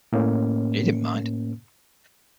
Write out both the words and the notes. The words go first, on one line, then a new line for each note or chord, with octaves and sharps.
He didn't mind.
A2 A#3 C#4